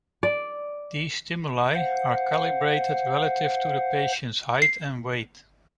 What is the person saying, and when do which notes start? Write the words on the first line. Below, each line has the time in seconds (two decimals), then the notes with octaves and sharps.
These stimuli are calibrated relative to the patient's height and weight.
0.23 D5
1.74 C5 F5 F#5
4.62 C7